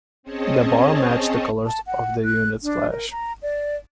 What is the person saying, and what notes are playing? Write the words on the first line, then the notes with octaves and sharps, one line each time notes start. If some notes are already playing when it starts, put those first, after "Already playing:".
The bar matched the colors of the unit's flash.
C4 C#4 G#4 C#5 D#5 A5
A5
F#5
F#6
D4
A#4
A#5
D5